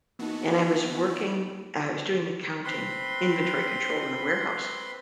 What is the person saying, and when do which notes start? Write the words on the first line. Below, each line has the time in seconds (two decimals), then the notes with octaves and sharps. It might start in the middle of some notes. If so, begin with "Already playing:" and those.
And I was working uh, I was doing accounting, inventory control in a warehouse.
0.19 E3 A#3 B3 D#4 F#4
2.65 C4 B4 B5 C6